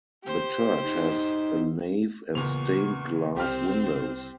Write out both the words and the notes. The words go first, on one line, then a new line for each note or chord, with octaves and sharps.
The church has a nave and stained glass windows.
G4 C5
D#4
E2 A#2 C#3 C#6 F7
C2 C4 G4 C5 F6